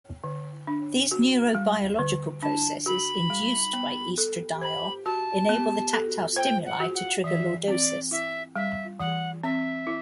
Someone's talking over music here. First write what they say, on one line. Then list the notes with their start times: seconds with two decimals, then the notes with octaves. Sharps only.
These neurobiological processes induced by estradiol enable the tactile stimuli to trigger lordosis.
0.24 D3
0.67 D4
1.11 F#4
1.55 G3
1.99 D3
2.42 D4 A5
2.86 F#4 B5
3.30 G3
3.73 B3
4.18 A4
4.61 C5 B5
5.05 F#4 A5
5.49 B3
5.93 A4
6.36 C5 G5
6.66 F#5
6.80 F#4
6.95 F#5
7.24 E3 E5
7.68 C4 D5
8.11 E4 E5
8.56 G3 E5
9.00 E3 F#5
9.43 C4 E5
9.87 E4